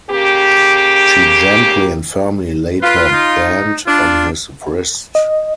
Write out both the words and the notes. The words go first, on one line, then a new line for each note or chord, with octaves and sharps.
She gently and firmly laid her band on his wrist.
C#3 A#3 G4
F4 B4
D#4
D4 F4
D#5